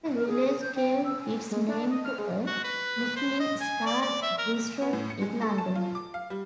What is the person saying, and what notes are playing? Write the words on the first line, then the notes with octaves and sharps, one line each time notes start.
The village gave its name to a Michelin-starred restaurant in London.
A#4
G#4
G#4
G6
G5
E6
G#5
G#3
D4
D#5
F6
G#3
F#4
B4
C5
D#5
G#5
D5
D5
E5
A#4
B3
A2
C#7
G#3
A4
A5
F4
D6
F5
G3